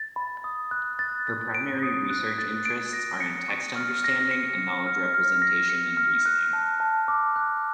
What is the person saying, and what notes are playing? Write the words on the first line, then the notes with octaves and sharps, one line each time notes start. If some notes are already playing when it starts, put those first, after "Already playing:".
Her primary research interests are in text understanding and knowledge representation and reasoning.
Already playing: A6
B5
D#6
F#6
A6
A6
D7
D#6
F#6
A6
D7
A#6
C#7
C#6
F6
A#6
C#7
C#7
F6
F6
A#6
C#7
F6
F#6
A5
A5
D6
F#6